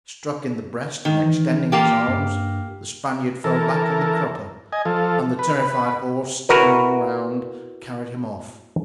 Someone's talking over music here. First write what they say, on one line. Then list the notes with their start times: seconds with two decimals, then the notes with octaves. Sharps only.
Struck in the breast and extending his arms, the Spaniard fell back on the crupper, and the terrified horse, turning around, carried him off.
1.05 D#3
1.23 E3
1.72 A#3 F4 G4
2.08 G2
3.44 E3 A4 A#4
4.72 D#5 G#5
4.85 F3 A4
5.39 B4
6.49 E4 F#4 A#4 B4